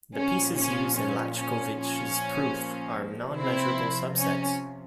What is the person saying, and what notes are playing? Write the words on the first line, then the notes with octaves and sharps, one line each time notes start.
The pieces used in Laczkovich's proof are non-measurable subsets.
A#2 F3 C#4
C#4
C#4
C#4
A#2 F3 C#4
C3 F3 C4 E4
C#4